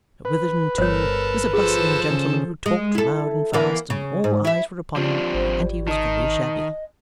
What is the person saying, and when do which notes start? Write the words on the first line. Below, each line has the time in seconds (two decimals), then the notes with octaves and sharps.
Mr Witherden too was a bustling gentleman who talked loud and fast, and all eyes were upon him, and he was very shabby.
0.25 B4
0.78 G1 A4 A#4 C5 C#5
1.53 F3 G#4 A4 C5
2.11 C#3
2.66 G#3
2.95 E4 A4
3.53 E3 A#3 B3
3.90 C#3
4.24 G#2
4.45 E4 E5
4.96 F3 C4 D4 F4 G4 D5
5.34 G#1 C5
5.87 D#3 D#5 A5 D#6